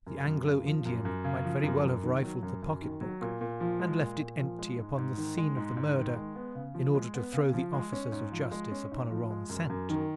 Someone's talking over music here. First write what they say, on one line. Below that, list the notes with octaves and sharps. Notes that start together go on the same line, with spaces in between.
The Anglo-Indian might very well have rifled the pocket-book, and left it empty upon the scene of the murder, in order to throw the officers of justice upon a wrong scent.
F#2
F#2
C#3
F3
F#2
F#2
C#3
F3
F#2
F#2
D#3
F#3
F#2
F#2
D#3
F#3
A#2
A#2
F3
G#3
A#2
A#2
F3
G#3
G#2
G#2
D#3
G#3
G#2
G#2
D#3
G#3
B3
C#3
F3
G#3
B3
C#3
F3
G#3
C#4
G#2
F3
G#3
C#4
G#2
F3
G#3
F#2
F#2
D#3